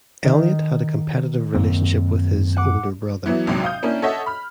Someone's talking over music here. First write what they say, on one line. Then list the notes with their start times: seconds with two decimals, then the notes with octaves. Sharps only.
Elliott had a competitive relationship with his older brother.
0.24 D#3
1.54 F#2 A#3 C4
2.56 F#5 D6
3.26 E3 F#3 B3 E4
3.47 A#1 G#2 C3 F#3
3.64 F5 D#6 G6
3.83 A#3 C#4 D4 E4
4.02 A4 C#5 D#5 E5 F#5
4.26 B5 F6